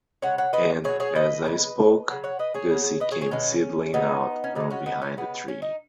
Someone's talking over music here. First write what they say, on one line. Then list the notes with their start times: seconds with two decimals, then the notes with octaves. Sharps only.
And, as I spoke, Gussie came sidling out from behind a tree.
0.22 C#3 G#3 C#5 F#5
0.38 C#5 F#5
0.53 B4 D#5
0.84 B2 F#3 G#4 C#5
1.00 G#4 C#5
1.15 B4 D#5
1.46 C#3 G#3
2.09 C#3 F#3
2.24 C#5 F#5
2.39 B4 D#5
2.54 G#4 C#5
2.70 C#3 F#3
3.00 B4 D#5
3.11 G#4 C#5
3.21 G#4 C#5
3.31 B2 G#3 C#4
3.94 C#3 F#3 B3 D#4
4.44 C#4
4.55 C#3 B3 D#4
4.60 G#3
4.70 C#4 F#4
4.86 B3 D#4
5.02 C#4
5.17 C#3 G#3 B3
5.48 C#4
5.62 D#4